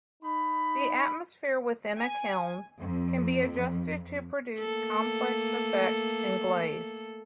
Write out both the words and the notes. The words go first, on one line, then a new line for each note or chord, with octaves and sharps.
The atmosphere within a kiln can be adjusted to produce complex effects in glaze.
D#4 B5
G#5
F2
A3 A#3 A4